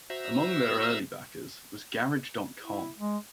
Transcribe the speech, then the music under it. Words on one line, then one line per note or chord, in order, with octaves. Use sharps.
Among their early backers was Garage dot com.
F#4 C5 E5 A#5 E6
E4
G#3